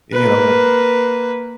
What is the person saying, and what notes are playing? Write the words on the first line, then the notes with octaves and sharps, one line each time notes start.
you know,
A#3 B4